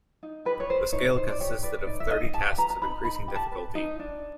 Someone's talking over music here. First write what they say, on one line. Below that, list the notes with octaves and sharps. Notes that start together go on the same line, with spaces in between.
The scale consisted of thirty tasks of increasing difficulty.
D#4
G4 B4
C#5
B4 C5
D#4 C#5
D#4 C5
D5
G4 C#5
B4 D5
D#4 D5
E5
D#4 D#5
G4 A5
B4 A#5
A#5
D#4 B5
D#4 B5
G4
A5
B4
D#4
D4